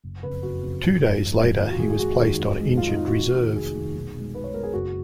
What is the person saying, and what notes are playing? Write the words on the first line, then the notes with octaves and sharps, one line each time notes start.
Two days later, he was placed on injured reserve.
F#1
F2 C#3 B4
F#1 F#4
F2 C#3
G#1
F#2 F3 G#3
G#1
F#2 F3 G#3
D#2 F4
F#4
D#3 G#3 G#4
G#4
D#2 F#4
D#3 G#3
F2
D#3 G#3
F2 F4
D#4
D#3 G#3 F4
F#4
F1
D#2 D#3
F1 G#4
D#2 D#3
B1
B2 G#3
B1 B4
C#5
B2 G#3 A#4
G#4
F#1 F#4